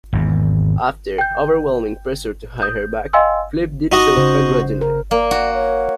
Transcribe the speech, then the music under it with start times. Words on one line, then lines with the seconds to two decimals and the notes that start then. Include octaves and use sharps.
After overwhelming pressure to hire her back, Phillips did so begrudgingly.
0.13 G#1 E2
1.18 G5 G6
2.62 D#6 G6
3.13 D#5 F5 G5 G#5 C6 E6
3.92 D#4 F#4 D#5
4.17 C#3 C5
4.81 A#4
5.11 A#3 D5
5.31 F#4
5.54 C#5